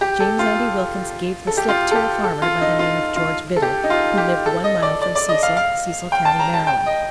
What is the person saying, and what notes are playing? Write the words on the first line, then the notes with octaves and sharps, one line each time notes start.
James Andy Wilkins "gave the slip" to a farmer, by the name of George Biddle, who lived one mile from Cecil, Cecil county, Maryland.
G4
A4
F4
A4
G4
F4
A4
G4
A4
F4
D#4
F4
F4
A4
G4
D#4
F4
G4
A4
D#5
D5
D5
D5
D#5
F5
F5
G5
A5
A#5
A5
G5
D#5